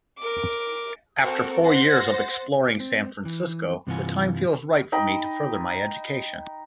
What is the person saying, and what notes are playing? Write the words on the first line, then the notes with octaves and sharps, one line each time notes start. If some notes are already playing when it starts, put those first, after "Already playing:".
After four years of exploring San Francisco, the time feels right for me to further my education.
A#4 D6
C4 F#4 A4 A#4
C5 F#5 A6 A#6
C4
E3
G2 C3 E3 F4 F#5 G#5
D#4 G5 B5